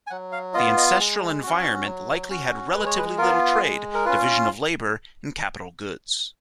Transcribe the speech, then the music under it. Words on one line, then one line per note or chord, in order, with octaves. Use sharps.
The ancestral environment likely had relatively little trade, division of labor, and capital goods.
G#5
F#3 F#5
F5
B3 F4 D#5
D#5
G#3
C#4 F#4
F#3
C#4 F#4
G#3 B4
C#5
B4
B3 F4 A#4
G#3
A#4
C#4 F4 B4